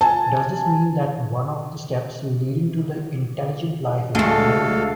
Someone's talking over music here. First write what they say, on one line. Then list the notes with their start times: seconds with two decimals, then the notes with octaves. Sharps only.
Does this mean that one of the steps leading to intelligent life is unlikely?
0.01 G#5 A5
4.15 D2 G#3 A3 A4 F5